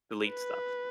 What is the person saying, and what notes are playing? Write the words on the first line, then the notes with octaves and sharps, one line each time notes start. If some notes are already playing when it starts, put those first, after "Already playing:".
delete stuff.
B4